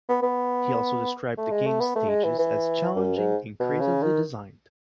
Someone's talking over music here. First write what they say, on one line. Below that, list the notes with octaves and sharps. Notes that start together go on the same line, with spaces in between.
He also described the game's stages as "challenging and creatively designed".
B3
B3
A3
G#3
A3
B3
A3
G#3
E3
E3
F#2
G#2
B2
C#3
D#3